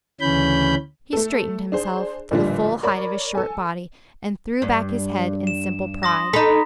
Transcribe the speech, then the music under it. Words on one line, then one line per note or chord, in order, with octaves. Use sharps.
He straightened himself to the full height of his short body and threw back his head in simple pride.
D2 C#3 E3 C#4 B5 G6
A3 A4
D4 G#4 C5
A1 A#2 D3 F3 G3
A#4 C#5 D5 B5
A4 G#5
G2
E7
C6 D#6 A#6
D#4 A4 A#5 B5 B6